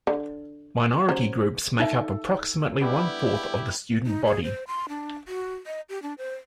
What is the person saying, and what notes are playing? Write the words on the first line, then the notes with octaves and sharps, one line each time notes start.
Minority groups make up approximately one-fourth of the student body.
D3
F#3 C#4 C5
D#4 A4 E5
G3 B3 D4 E4 G4
D#4
G#4
C5
C6
D4
F#4
D#5
G4
D4
C5